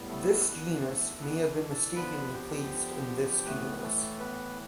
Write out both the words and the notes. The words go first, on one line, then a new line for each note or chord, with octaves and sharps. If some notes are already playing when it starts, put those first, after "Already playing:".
This genus may have been mistakenly placed in this genus.
Already playing: A2 G3 B3
A3 A4
E3 B3 D4 B4
A3 A4
B3 B4
A4 A5
D3 F3 B3 D4 B4 B5
G4 G5
A2 E3 A3 B3 B4
A3 A4
B3 B4